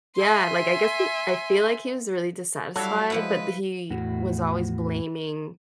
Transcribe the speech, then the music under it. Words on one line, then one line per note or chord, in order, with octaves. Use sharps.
yeah, like I guess think? I feel like he was really dissatisfied, but he was always blaming
E5 G#5 C6
F#3 G3 E4 F#4 A4 F5
F3 G#3 E4 B4 F#5
E2 A2 F#4